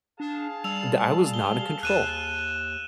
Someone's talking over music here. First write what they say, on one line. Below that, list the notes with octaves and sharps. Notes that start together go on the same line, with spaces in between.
d I was not in control.
D4 G#4 F5 A5
G3 E6 F7
G7
D#2 F#6 D#7 E7